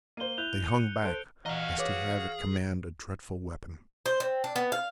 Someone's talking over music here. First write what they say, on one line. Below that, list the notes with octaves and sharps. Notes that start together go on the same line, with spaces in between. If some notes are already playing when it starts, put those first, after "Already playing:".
They hung back lest he have at command a dreadful weapon.
A#3 C5 D#7 G7
E4 F#6 G6 F7
C#7
A4 C5 F#6 D7
E3 C#4 F#4 D#5 F5 F#5 A#5
G#4 B4 C#5 D6
C5
C4
D4
B3
F5